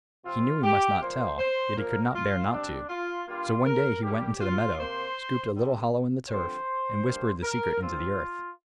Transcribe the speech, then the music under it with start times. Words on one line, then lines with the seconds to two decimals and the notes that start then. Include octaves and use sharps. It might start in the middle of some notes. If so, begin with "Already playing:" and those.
He knew he must not tell, yet he could not bear not to; so one day he went into the meadow, scooped a little hollow in the turf, and whispered the secret into the earth.
0.24 C3 F3 C4 F4
0.63 G4
1.01 A#2 F3 A#3 C5
1.38 C5
1.75 A#2 F3 A#3 A#4
2.14 F4
2.51 C3 G3 C4 D4
2.89 F4
3.26 G2 G3 A#3 F4
3.64 A#4
4.02 G2 G3 A#3 G4
4.41 F4
4.78 C3 A#3 C5
5.53 D3 G3 C4
6.29 G2 D3 F3 C4 C5
7.05 G2 G3 A#3
7.43 A#4
7.81 G2 F3 C4 F4